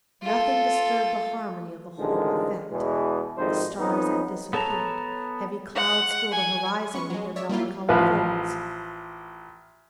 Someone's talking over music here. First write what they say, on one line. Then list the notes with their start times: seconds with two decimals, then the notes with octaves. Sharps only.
Nothing disturbed the harmony of the whole effect. The stars had disappeared, heavy clouds filled the horizon with their melancholy folds.
0.22 F4 A4
1.98 A1 D3 D#3 F3 G#3
2.70 E2 B2 E3 G#3
3.38 G#1 F2 G#2 G3 D#4 C5
3.79 F2 B3 C#4 D#4
4.53 B3 A4 C#5 A5 A#5
5.75 F#5
6.32 G#5
6.94 B3 C#4 C#6
7.10 F#3 G#3
7.36 C#5 D5 E5
7.49 G3 A#3 E4 F4
7.89 A1 F3 B4 F5